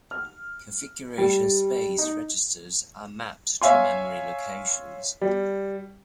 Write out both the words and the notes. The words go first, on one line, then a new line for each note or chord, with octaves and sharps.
Configuration space registers are mapped to memory locations.
F6
G3
D#4
C#5 E5 F5 G#5 C6
G3